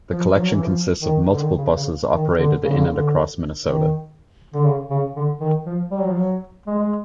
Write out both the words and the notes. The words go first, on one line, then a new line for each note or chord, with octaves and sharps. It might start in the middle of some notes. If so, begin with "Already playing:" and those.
The collection consists of multiple buses operated in and across Minnesota.
F3
F3
F#3
E3
F3
D#3
D3
D#3
C#3
C#3
D#3
D3
C#3
D3
C#3
D3
D#3
D3
C#3
C#3
D3
D#3
F3
G3
F#3
F3
F#3
G#3
G#3